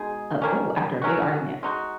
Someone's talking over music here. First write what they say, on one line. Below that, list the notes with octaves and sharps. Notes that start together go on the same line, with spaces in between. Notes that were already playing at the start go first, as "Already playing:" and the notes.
a b oh, after a big argument?
Already playing: B2 G#3 D#4 G#4
D#3 A#3 C#4
F#3 C#4 F#4
G#3 D#4 F#4